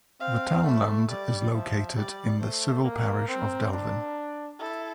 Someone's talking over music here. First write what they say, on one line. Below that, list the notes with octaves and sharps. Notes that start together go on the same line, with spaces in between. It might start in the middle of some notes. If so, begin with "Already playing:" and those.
The townland is located in the civil parish of Delvin.
C4 F5
A3 E5
G3 D5
F3 E5
G3 D5
A3 C5
A#3 A#4
C4
D4
E4 A4